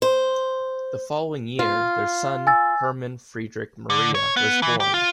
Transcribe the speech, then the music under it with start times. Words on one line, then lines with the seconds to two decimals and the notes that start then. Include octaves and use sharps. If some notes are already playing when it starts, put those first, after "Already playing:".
The following year, their son Hermann Friedrich Maria was born.
0.02 C5
1.59 F4
2.47 G#5 E6 A6
3.90 D3
4.15 C#5
4.36 B3
4.62 E3
4.80 G4
4.94 F4